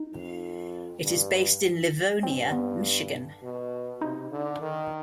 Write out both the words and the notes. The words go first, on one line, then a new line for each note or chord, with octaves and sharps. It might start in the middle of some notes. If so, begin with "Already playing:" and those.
It is based in Livonia, Michigan.
Already playing: D#4
F2
G2
G2 C4
B3
B2
C3 D#4
D3
D#3